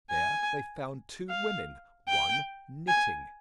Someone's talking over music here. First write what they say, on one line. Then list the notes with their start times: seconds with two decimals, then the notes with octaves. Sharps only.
There, they found two women; one, knitting.
0.11 G#5
1.29 F5
2.09 G5
2.88 G#5